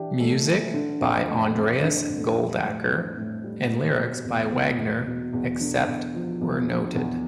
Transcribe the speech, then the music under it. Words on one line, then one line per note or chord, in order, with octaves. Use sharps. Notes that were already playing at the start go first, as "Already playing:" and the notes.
Music by Andreas Goldacker and lyrics by Wagner except where noted.
Already playing: E3 D4 G4
A3
E3
D3
F2
A3
C4
D3
F2
G3
A2
C4
A2
G3
A2
B2
E2
B3
E2
B2
E2
D3
E2
F3
E2
D3
E2